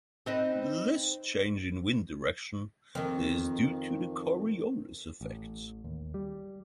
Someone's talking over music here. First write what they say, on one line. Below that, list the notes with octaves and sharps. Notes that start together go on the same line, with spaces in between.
This change in wind direction is due to the Coriolis Effect.
C4 D#4 B4
F2 D#3
A1
D#2
G3